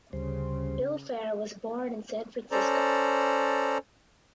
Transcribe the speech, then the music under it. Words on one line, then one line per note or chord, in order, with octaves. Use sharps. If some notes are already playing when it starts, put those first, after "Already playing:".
Bill Fair was born in San Francisco.
D2 C#3 G3 C5
C#4 A4 C5 D5 A#5